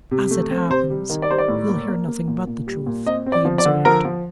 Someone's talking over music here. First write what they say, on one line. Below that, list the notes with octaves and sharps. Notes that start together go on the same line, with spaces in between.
"As it happens, you'll hear nothing but the truth," he observed.
C3
A3
C4
C3 C5
G3
D#3
D5
G3 C5
D5
A2
A#3
A#3
A#3
A#2
A#2
G3
A#2
C4 D#5
C4
D5
F3
D5
D3
F3 A#4
F3